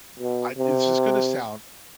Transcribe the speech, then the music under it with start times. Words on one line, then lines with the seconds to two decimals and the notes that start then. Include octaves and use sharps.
I this is gonna sound,
0.19 B2
0.58 C3